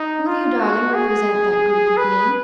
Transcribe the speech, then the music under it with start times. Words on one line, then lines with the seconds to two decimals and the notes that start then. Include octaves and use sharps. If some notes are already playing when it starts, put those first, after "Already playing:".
"Will you, darling, represent that group with me?"
Already playing: D#4
0.27 F4
0.60 F#4
0.94 G#4
1.97 B4